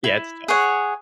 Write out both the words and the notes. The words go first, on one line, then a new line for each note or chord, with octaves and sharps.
Yeah, it's tough.
E4
G#4 C#5 F#5